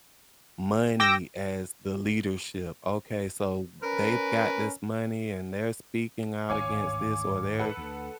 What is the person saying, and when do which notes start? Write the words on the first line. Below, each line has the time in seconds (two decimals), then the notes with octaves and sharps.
money as the leadership. Okay, so they've got this money and they're speaking out against this, or they're
1.00 G5 D6 E6 A#6
3.83 C#4 A#4 B4
6.50 G#1 D2 A2 C#5 F5 G#5 D6
7.59 A4 B4 F#5
7.77 D2